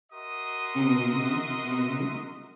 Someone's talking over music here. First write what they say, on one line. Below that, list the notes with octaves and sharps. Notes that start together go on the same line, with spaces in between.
Mhm. Mhm.
F#4 A#4 D#5 E5 C6 D#6